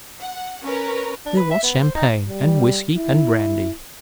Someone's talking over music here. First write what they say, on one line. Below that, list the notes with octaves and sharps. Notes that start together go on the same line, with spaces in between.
There was champagne, and whiskey, and brandy.
F#5
C#4 A#4 B4
D4
B4
E5
B3
C5
D#4
G3
E4